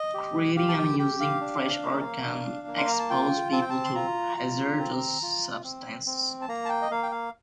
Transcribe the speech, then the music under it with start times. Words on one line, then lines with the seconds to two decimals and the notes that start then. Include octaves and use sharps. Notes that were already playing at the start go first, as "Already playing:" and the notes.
Creating and using trash art can expose people to hazardous substances.
Already playing: D#5
0.14 G4
0.56 G4 F5
0.69 A5
0.78 G5
0.99 G4 G5
1.20 F5
1.41 D4
1.83 A#3
2.25 D4
2.67 A#3
2.78 C6
2.88 A#5
2.99 A5
3.10 F4 G5
3.52 C4 A5
3.61 G5
3.70 A5
3.85 C6
3.95 F4 A#5
4.37 F4
4.79 C4
5.22 F4
5.64 C4
6.06 C4
6.42 A5
6.48 A#3 A#5
6.65 A5
6.69 G5
6.82 D#5
6.91 A#3 F5
7.03 G5
7.12 F5